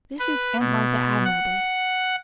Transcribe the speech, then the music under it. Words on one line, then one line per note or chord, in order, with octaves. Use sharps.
This suits Aunt Martha admirably.
B4
B2
F#5